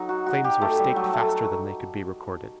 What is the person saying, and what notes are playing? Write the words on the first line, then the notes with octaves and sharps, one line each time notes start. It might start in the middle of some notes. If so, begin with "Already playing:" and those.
Claims were staked faster than they could be recorded.
Already playing: F#3 D#4
F#4
F#4
G4
A3
G3
F#3
A3